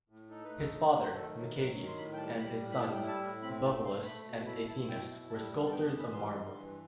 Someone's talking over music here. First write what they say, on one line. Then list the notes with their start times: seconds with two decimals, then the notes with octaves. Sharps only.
His father, Micciades, and his sons, Bupalus and Athenis, were sculptors of marble.
0.10 A2
0.30 D#4 A4
0.44 B4
0.51 A3
0.58 A4
0.73 F#3
0.93 A3
1.14 D#3 A4
1.35 F#3
1.55 F#3 B4
1.77 D#3
1.87 C6
1.97 A2 B5
2.13 G5
2.17 G3 A5
2.39 G3 B5
2.60 A2
2.71 B5
2.80 G3 A5
2.94 G5
3.01 E4
3.08 A5
3.21 A2
3.42 C4 B5
3.64 A3 A5
3.85 A3 C6
4.05 A3 B5
4.26 B2
4.46 E4 B5
4.67 E4 A5
4.88 B2 G5
5.09 E4
5.29 G3 A5
5.51 G2
5.67 A5
5.71 B3 G5
5.86 A5
5.92 E3
5.99 B5
6.13 G3 C6
6.34 G2
6.55 E3